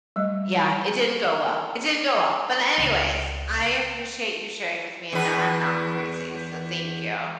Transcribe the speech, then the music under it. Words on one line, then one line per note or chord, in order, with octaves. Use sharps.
Yeah, it didn't go well. It didn't go well. But, anyways, I appreciate you sharing with me and that I'm not crazy, so thank you.
G3 A3 D#5
C#2
E2 B4